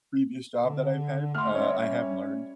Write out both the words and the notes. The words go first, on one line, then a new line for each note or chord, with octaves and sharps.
previous job that I've had, uh, I have learned
D3
A3 F#5 C6 F6
G3 C#4 C#5 D5 E5